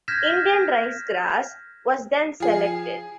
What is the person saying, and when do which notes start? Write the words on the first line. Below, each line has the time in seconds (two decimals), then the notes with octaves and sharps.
Indian ricegrass was then selected.
0.08 F6 G6 G#6 A#6 B6 E7
2.40 F3 G#4